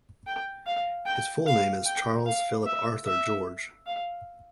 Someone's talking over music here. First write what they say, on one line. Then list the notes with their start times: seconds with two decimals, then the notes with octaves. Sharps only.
His full name is Charles Philip Arthur George.
0.27 G5
0.66 F5
1.06 G5
1.46 F5
1.86 G5
2.26 F5
2.66 E5
3.06 E5
3.86 F5